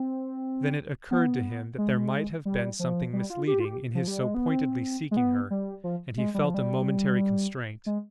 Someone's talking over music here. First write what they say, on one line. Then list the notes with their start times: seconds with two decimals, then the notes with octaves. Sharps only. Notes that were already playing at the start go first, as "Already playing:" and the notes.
Then it occurred to him that there might have been something misleading in his so pointedly seeking her, and he felt a momentary constraint.
Already playing: C4
1.11 B3
1.78 G#3
2.45 G3
2.79 F3
3.13 G3
3.30 F4
3.47 G4
3.60 F4
3.65 G4
3.95 F3
4.08 G3
4.21 G#3
4.35 B3
4.49 C4
5.11 G#3
5.17 B3
5.51 G3
5.84 F3
6.18 G#3
6.34 G3
6.44 F3
6.54 G3
7.86 G#3